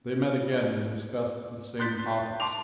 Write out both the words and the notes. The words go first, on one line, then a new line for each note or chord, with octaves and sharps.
They met again and discussed the same topics.
C6 F#6 G6 A6 B6
A5 C6 D6 F7